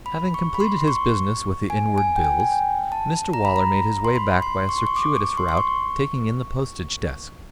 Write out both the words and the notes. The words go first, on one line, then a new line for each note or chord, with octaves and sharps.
Having completed his business with the Inward Bills, Mr Waller made his way back by a circuitous route, taking in the Postage desk.
B5
C#6
B5
C6
C6
C#6
G#5
G#5
G5
G#5
G#5
G5
A5
A#5
B5
A#5
C6
B5
C6
C#6
C6
C#6
D6
C#6
C6
C6
C#6